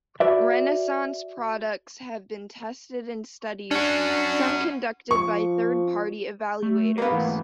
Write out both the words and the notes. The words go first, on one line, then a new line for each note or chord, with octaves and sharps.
Renaissance products have been tested in studies, some conducted by third-party evaluators.
F#4 B4 D5 E5
C#4 D4 F#4
F3 C#6
A3
A#3 B3 B4 D#5 F5
G#2 E3 A3